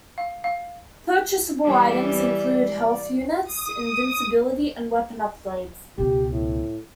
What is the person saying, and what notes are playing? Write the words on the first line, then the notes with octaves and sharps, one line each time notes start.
Purchasable items include health units, invincibility, and weapon upgrades.
F5
F5
E3 G3 D5
D#6
C#2 B2 G4
A2